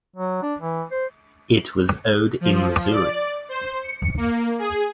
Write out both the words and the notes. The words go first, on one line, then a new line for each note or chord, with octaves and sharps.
It was owed in Missouri.
F#3
D4
E3
C5
F3
D5
C5
C#7
A#3
G#4